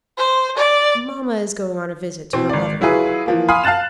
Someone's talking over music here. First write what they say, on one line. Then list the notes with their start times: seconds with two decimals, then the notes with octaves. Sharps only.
"Mamma is going on a visit to her brother-in-law."
0.18 C5
0.57 D5
2.33 B2 E3 C4
2.49 G#1 D5
2.81 F#3 E4 F4 G#4 B4
3.26 E3 F3 A#3
3.48 F5 G#5 B5 C6 D#6 F6
3.64 F5 A5 F#6 A6 E7